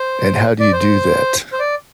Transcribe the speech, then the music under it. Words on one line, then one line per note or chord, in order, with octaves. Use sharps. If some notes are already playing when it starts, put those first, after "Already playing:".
and how do you do that?
Already playing: C5
D5
C5
C5
D5